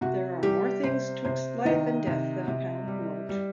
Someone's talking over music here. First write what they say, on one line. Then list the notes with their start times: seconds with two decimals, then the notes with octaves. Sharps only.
There are more things twixt life and death than a pound note.
0.01 C3 F#4
0.43 G3 G4
0.83 C3 C5
1.25 C3 C5
1.65 D#3 D#5
2.07 C3
2.48 C3
2.88 G3
3.29 G3